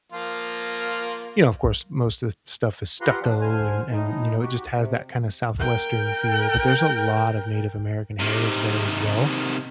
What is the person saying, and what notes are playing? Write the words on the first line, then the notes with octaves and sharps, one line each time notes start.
you know, of course, most of the stuff is stucco and and, you know, it just has that kinda southwestern feel, but there's a lot of Native American heritage there as well,
F3 A#3 F4
F4 G4 B4 F#5 A#5 C6
E3 F3 D4
D3 C5 G#5 F6
A2 D#4
F#4 G4
C3
A#4 G5
C3 D#3